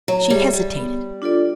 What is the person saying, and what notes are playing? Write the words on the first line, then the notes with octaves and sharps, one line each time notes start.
She hesitated.
F#3
G3 G#4 C#5 E5
G3
B3
D4 F4 A4 D5